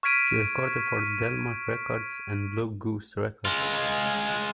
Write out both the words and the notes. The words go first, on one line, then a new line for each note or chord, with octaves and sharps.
He recorded for Delmark Records and Blue Goose Records.
C#6 F6 G#6 B6 D7 D#7
G#3 F4